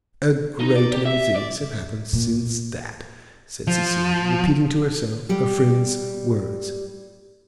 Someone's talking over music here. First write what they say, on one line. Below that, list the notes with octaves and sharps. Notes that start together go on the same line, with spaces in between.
"A great many things have happened since that," said Cecilia, repeating to herself her friend's words.
D#4
D5
G4
E5
D5
A#2
F3
G3 G4